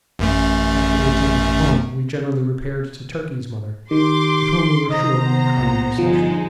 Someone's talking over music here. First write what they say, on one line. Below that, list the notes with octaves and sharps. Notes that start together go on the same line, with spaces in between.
After we had taken her home we generally repaired to Turkey's mother, with whom we were sure of a kind reception.
A1 F#2 A3
D#3 G4 C6 D6
C3 C5 D#5 A#5
B3
B1 A#2
G1 F3 G#3 D#4